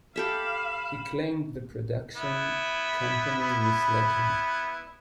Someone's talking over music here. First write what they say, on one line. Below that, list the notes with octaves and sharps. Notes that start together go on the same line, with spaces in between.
He claimed the production company misled him.
G4 A4 E5 F5 B5 E7
B3 E4